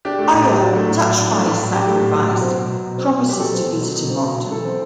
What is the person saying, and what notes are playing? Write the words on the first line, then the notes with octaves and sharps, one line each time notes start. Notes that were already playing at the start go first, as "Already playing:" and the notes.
Aya, touched by his sacrifice, promises to visit him often.
D4 G4
A3 G4
A2
F#3 G4
D4 F#4
A3
A2
F#3
D4
A3
A2
F#3
D4 G4
A3
A2
F#3
B2 F#4
C4
B2
F#3
B2
C4
B2
F#3 G4
B2 A4
C4
B2
F#3
B2
C4
B2
F#3
E3 A4
C4